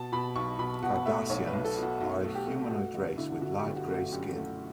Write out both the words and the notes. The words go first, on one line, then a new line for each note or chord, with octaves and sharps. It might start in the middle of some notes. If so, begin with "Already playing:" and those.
Cardassians are a humanoid race, with light grey skin.
Already playing: B2 A5
B2 B5
B1 C#6
B2 B5
B2 F#5
A3 E5
B1 C#5
B4
B1
A4
B2
F#4
B1 F#4
A3
G4
A3
A3 F#4
G1 F#4
D3 E4
D3 F#4
G4
G1
F#4
A3
F#4
F#2 G4
A3